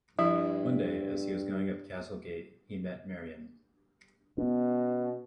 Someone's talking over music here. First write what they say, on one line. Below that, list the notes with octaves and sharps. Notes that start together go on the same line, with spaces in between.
One day, as he was going up Castle Gate, he met Miriam.
G2 F3 E4
B2 B3 C#4